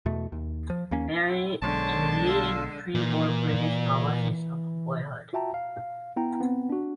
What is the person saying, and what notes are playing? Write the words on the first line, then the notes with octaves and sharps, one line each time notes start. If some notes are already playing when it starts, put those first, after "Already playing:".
Barrie, a leading pre-war British novelist of boyhood.
E2 B2 A3
D#2
F3
D#2 A#3 C#4
C4 E4
B1 D3 G#3 C#4 C5 C#5 A5
F4 A4
A#2 E3
F4 F#4 E5 G5 A5 A#5
F5
B3 E4 G5 A#5
B3 C4
D4 F#4